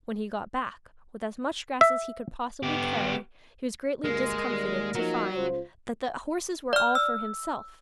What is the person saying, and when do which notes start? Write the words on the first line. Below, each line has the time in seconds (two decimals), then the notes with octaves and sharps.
When he got back, with as much grass as he could possibly carry, he was greatly discomfited to find that the horses were all for himself.
1.81 E5
2.63 B3 G4
4.04 D2 G2 G#3 A#3 A#4
4.48 D#2 G3 A#3
4.94 F3 F#3 A#3 D#4
5.35 C#2 F4 C5
6.73 D5 F6
6.95 E6